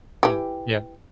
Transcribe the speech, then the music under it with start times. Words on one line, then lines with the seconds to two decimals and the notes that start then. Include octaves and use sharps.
Mhm, yeah.
0.23 E3 G4